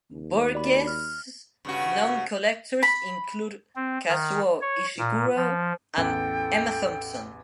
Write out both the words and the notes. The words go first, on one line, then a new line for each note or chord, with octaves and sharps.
Burgess’ known collectors include Kazuo Ishiguro and Emma Thompson.
D#2
F#4 D5 B5
F6
G2 C#3 F#4
B5
C4
D#3
C#5
A#2
F3
A1 E2 A4 G5